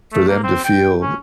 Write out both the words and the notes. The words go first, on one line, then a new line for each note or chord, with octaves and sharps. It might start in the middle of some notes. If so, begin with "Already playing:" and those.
for them to feel,
A3
A#3
C4
G5
C#4